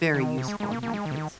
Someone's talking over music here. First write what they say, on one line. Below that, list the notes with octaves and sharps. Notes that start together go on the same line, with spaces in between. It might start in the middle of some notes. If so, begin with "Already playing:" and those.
very useful, in my case.
D#3
C3
G#3
G#3
A#3
A#3
G#3
D#3
C3
D#3